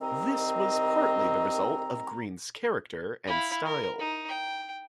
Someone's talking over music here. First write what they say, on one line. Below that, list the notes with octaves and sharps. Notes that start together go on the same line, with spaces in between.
This was partly the result of Greene's character and style.
C2 D#3 C4 D#5 A#5
E4 F5
A#4
D#4
G5